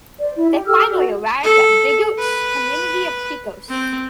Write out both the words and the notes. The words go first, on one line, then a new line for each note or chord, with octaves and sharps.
They finally arrived at Bigotes's community of Pecos.
C5 D5
E4
G4
G4 A4 E6 F6
F#4 A4 D5
A4
B4
C4